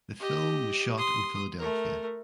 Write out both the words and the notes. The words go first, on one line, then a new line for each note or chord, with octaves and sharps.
The film was shot in Philadelphia.
G4 D#5
C6 D#6
A3 A#4